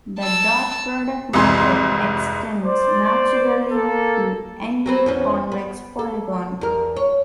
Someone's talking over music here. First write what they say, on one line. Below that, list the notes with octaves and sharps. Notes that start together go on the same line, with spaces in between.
The dot product method extends naturally to any convex polygon.
A5 E6
C2 F2 G#2 E3 C6
C5 D5
A#3 A4
F#3 C4 B4
E2 B3 C#4
B3
A4
E2 A#4
C#5